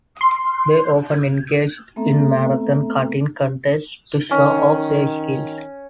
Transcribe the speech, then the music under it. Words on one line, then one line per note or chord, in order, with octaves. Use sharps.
They often engaged in marathon cutting contests to show off their skills.
C6
A3 B3 C4 A4 E5 A#5
D#3 C#4